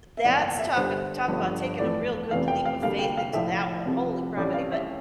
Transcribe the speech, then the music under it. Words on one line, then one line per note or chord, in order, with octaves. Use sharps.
that's talking talk about taking a real good leap of faith into that one. Holy grammity. But
E5
G1 F2 E3 A#3 D5
G5
F5
E5
G1 G2 D3 G3 C5
G1 G2 D3 F3
F2 E3 A3 D5
F1 E2 C3 E3 A3 F5
G5
F5
D2 D3 G3 A#3 F5
G5
F5
A#1 A2 F3 E5
C2 C3 F3
A1 A2 G3 D5
F5
E5